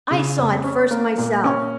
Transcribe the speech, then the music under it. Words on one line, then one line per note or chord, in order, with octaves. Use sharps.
I saw it first myself.
C#3
F2
C#4
A#3
A#2
C#4